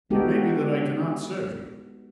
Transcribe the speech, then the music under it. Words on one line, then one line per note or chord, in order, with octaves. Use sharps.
It may be that I can not serve you.
G#3 B3 D#4 F#4 G4 A4